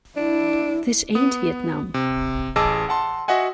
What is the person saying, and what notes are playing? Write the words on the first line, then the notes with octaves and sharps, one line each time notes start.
This ain't Vietnam.
D4 E4
B3 D#6
C3
A1 G#4 D#5 A5 D6 E6
F#5 A5 C6
F#4 D#5 E5 F#5 G#5